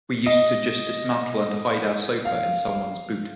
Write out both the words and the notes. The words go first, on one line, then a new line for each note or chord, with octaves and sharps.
We used to just dismantle and hide our sofa in someone's boot.
D#5
F5